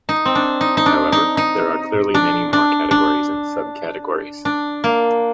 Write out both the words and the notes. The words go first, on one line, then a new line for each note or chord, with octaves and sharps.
However, there are clearly many more categories and sub-categories.
D#4
C4
D4
D#4
D#4
D4
D#4
D#4
D4
D4
D4
D4
A#3